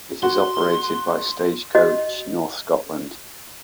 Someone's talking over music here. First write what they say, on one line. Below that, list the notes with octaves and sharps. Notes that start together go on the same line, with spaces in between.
It is operated by Stagecoach North Scotland.
F#4 C6
F#4 D#5